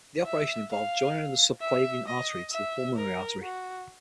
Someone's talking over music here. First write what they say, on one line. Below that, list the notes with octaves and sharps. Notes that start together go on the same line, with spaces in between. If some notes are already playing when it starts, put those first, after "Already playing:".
The operation involved the joining of the subclavian artery to the pulmonary artery.
E5
F5
E5
D#5
E5
A#4
F#4